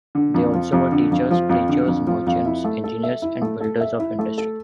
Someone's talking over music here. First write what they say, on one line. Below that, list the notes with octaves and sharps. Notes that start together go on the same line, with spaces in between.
They also were teachers, preachers, merchants, engineers, and builders of industry.
D3
F2
F3
F2
D3
F2
F3
F2
D3
F2
F3
F2
E4
A3
A4
E5
E4
A3
A4
E5
E4
A3
A4